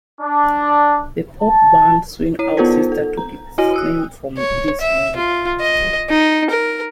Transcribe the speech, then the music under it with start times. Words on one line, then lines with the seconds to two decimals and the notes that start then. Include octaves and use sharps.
The pop band Swing Out Sister took its name from this movie.
0.21 D4
1.42 A5
2.39 E4 C#5 D#7
2.57 B3 D#4 F4 A4 A#4 C5
2.92 A4
3.17 A#5
3.58 E4 F#4 D#5 G#5 A#6 D#7
3.74 D#6 E6 F#6
4.37 C#5
4.81 E5
5.16 F4
5.60 D#5
6.09 D#4
6.50 A#4